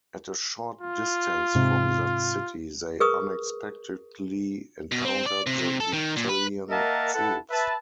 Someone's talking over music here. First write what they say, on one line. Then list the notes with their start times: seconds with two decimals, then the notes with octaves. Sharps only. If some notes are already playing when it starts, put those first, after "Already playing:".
At a short distance from that city they unexpectedly encountered the Vitellian troops.
0.81 F4
1.55 G#2 C3
3.00 G#4 A#4 B4 C#6 D#6
4.92 B2
5.05 C4
5.26 D5
5.47 C3
5.59 C3
5.80 A4
5.93 D#3
6.16 A#2
6.29 B4
6.70 A#3 A#4 D#5 E5 F#5 A5
7.14 E4 A4 B4 F#5 A5
7.50 B4 E5 A5